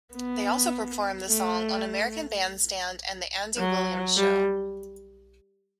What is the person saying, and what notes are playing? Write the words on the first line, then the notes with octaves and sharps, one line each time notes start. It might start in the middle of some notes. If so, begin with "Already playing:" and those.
They also performed the song on American Bandstand and the Andy Williams Show.
B3
A3
F#3
G3